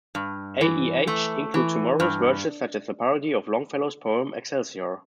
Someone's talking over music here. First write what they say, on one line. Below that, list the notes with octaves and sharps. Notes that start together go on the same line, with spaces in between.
"A. E. H." includes humorous verse such as a parody of Longfellow's poem "Excelsior".
G2
E3
A3
E3
G2